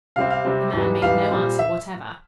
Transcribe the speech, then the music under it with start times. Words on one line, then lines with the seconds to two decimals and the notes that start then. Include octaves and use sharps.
The man made no answer whatever.
0.16 C3 G3 C4 F5
0.30 F5
0.45 C3 G3 C4
0.73 G#2 E3 G3
1.02 G#2 E3 G3 F5
1.30 A#2 G3 C4
1.59 E5